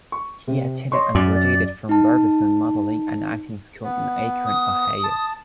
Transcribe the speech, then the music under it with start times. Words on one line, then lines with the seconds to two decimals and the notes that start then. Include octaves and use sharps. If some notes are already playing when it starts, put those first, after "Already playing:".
He attended and graduated from Barbizon Modeling and Acting School in Akron, Ohio.
0.12 C#6
0.47 C3
0.92 C#5 D#5 C6 C#6
1.15 F#2 D5 D6
1.34 D5
1.89 D#4 A5
3.84 B3
4.45 D#6
5.03 A5